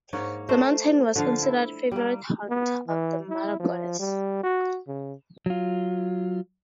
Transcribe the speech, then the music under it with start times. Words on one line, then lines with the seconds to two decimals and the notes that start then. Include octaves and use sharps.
The mountain was considered a favorite haunt of the mother goddess.
0.13 G#2 A#3 C#5
0.49 A3 A#4 C5
1.16 D3 F3 F5
1.43 E4
1.91 G3 A#3
2.49 B3
2.88 E3
3.29 E4
3.60 F3
3.99 G3
4.43 F#4
4.87 C#3
5.46 F#3 F4